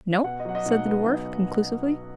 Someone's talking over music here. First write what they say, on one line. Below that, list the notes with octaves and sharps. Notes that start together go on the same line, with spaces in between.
"No," said the dwarf, conclusively.
B2 F#5
D#5
F#3 F#5
D#5
B1 F#5
B3
B1